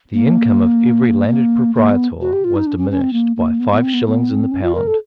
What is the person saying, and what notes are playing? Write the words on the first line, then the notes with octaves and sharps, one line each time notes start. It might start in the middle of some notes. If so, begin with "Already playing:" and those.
The income of every landed proprietor was diminished by five shillings in the pound.
A#3
A#3
A#3
B3
F#4
G4
F4
D#4
D4
C#4
C#4
C4
A#3
A#3
B3
B3
C4
B3
B3
C4
C#4
F4
A#4
A4